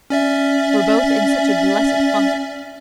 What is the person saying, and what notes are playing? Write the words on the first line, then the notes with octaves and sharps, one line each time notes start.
We're both in such a blessed funk.
C#4 D5 E5